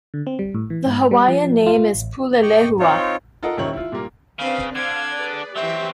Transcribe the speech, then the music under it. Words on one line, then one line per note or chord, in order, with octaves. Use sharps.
The Hawaiian name is pulelehua.
D3
C4
G3
A2
E3
G#2
G3
F3
F4
A1
D#5 G5 C#6 D6
C4 D#4 F4 C#5
F4 A4 A#4 D#5 F#5
D#1 F#2 D#3 E4 C#5 F#7
E4 F4
A#2 G3 A#3
C#3 C4 D4 B4 F5
D3 D4 F5 G#6
G#4 B4 D5
E3 F#3 C4 G4 E5